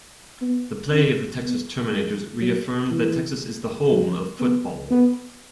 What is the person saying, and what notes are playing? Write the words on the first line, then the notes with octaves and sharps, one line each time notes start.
The play of the Texas Terminators reaffirmed that Texas is the home of football.
B3
C#4
B3
G#3
F#3
E3
F#3
B3
B3